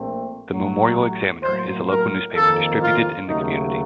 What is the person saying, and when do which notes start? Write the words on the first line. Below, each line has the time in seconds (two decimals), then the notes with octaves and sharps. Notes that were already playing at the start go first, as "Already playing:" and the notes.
The "Memorial Examiner" is a local newspaper distributed in the community.
Already playing: A#1 A#2 A3 C4
0.49 A1 A2 F#3
1.42 A2 F#3 A#3 C5
1.88 A#4
2.35 F2 D#3 A#3 A4
2.81 F4
3.27 D#2 C#3 F#3 A3 D#4